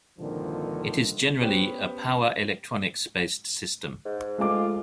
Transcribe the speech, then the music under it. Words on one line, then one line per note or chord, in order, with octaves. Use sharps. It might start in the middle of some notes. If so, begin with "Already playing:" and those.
It is generally a power electronics-based system.
C2 G2 A#2 D3 D#3 F3
B3 C#4 G4 C5
G#2
G#3 A3 F4 D6